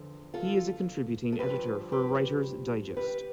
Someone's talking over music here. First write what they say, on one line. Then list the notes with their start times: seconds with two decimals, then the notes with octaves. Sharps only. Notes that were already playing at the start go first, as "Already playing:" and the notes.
He is a contributing editor for "Writer's Digest".
Already playing: E2 D3 F3
0.34 F4 A4
1.32 A4
1.39 G2 D3 F3 G4 B4
1.92 G4 B4
2.97 G4 B4